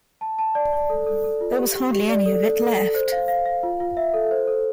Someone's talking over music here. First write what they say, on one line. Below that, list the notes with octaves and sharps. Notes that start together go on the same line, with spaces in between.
There was hardly any of it left.
A5
A5
D5
D5
A4
A4
A4
F4
G4
G4
G4
D5
A4
A4
A4
A4
C5
F5
F5
F5
F4
F4
E5
A4
C5
A4